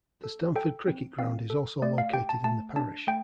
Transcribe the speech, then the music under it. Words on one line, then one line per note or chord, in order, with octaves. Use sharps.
The Stanford Cricket Ground is also located in the parish.
A4
A4 G5
C4
C4 F5
A4
A3 D5
F5
G4 G5
A5
A3 A5
D4 A5
A3 G5